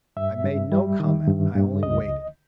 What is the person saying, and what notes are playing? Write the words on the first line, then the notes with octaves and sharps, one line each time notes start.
I made no comment; I only waited.
G2 E5
G2
G3
D#3
G2
G2
C#2 D#5